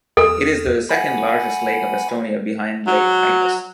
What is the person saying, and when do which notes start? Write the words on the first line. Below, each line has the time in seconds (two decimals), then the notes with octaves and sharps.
It is the second largest lake of Estonia behind Lake Peipus.
0.17 E2 A4
0.89 F#5 G#5 B5
2.87 F#3